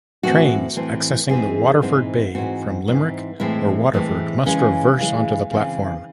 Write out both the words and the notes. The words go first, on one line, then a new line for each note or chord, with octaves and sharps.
Trains accessing the Waterford bay from Limerick or Waterford must reverse into the platform.
A2 E3 C4 F#4
A2 E3 C4
G#2 E3 G#3 C4 G#4
G#2 E3 G#3 C4
G#2 E3 C4 F#4
G#2 E3 C4
A2 E3 G#3 C4 E4
A2 E3 G#3 C4
C#3 E3 G#3 C#4
C#3 E3 G#3
C#3 E3 C4